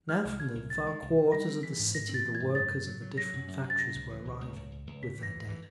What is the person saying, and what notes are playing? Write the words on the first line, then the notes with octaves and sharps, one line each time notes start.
Now from the far quarters of the city the workers of the different factories were arriving, with their dead.
G#3 F6
C2
B2 G#6
C2
C2 A6
G#3
C2
B2
G3 A#6
C4
E3 B6
G#2
G#2 A#6
C4
A6
E3
G#6
G#2
F#2 A6
C#3
F#3
F#3
F#3 A#6
F#2
F#2
F#2
A6
C3 A#6
C#2
E3
C#2
C#2
C#2
C#2
C#2
C#3 B6
E3 A#6
D2
E3